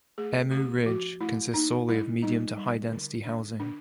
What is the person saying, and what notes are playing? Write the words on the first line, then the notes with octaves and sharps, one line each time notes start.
Emu Ridge consists solely of medium to high-density housing.
A3 G#4
A3 G4
F3 F#4
A3 E4
A#3 D#4
G3 E4
G3 D#4
G3
D3
D4
D3 D4